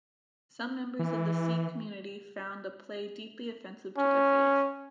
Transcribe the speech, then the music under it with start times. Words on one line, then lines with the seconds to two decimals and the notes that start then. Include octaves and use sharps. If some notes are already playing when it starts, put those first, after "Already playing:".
Some members of the Sikh community found the play deeply offensive to their faith.
0.99 E3
3.97 C#4